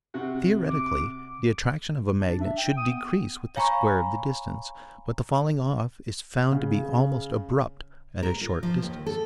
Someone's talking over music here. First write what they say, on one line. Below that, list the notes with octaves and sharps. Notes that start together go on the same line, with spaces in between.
Theoretically the attraction of a magnet should decrease with the square of the distance, but the falling-off is found to be almost abrupt at a short distance.
C3 F#4
D6
D4
E5
G5
D#6
B3
C#5 F5 G#5 A#5 B5 C#6
C#3
A#4
F4
F3
D#2
A4